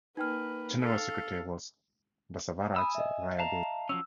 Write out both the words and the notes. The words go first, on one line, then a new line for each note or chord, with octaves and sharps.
General Secretary was Basavaraj Rayareddy.
A#3 D#4 B4 G5 F6
A4 F5
G#5 B5 D#6 E6
D#5 E5
F5 A5 A#5
F3 F#3 C#4 E6